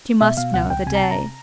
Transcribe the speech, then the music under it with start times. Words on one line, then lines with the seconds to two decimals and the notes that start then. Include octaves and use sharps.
She must know the day.
0.21 B2 E5
0.37 B2 F5
0.54 C#2 F#5
0.70 C#2 G5
0.87 C3 G#5
0.95 A#5
1.03 C3 A5
1.11 A#5